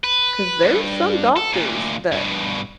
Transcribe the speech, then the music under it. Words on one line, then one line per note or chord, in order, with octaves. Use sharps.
'Cause there's some doctors that
B4
G2
A4
D2 A#2
G2 B2